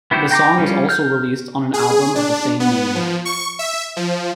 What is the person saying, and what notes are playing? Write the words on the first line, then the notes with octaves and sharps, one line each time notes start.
The song was also released on an album of the same name.
B3 E4 F#4 G4 C5
G5 A#5 C6 D6
F3 G3 C#4
F6 G6
G#4
D4
B3
F3
C#6
E5
F3